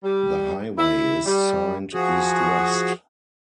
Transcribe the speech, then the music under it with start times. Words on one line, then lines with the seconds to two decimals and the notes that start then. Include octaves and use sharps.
The highway is signed east-west.
0.03 G3
0.78 E4
1.26 G3
1.93 F3 F#4 G#4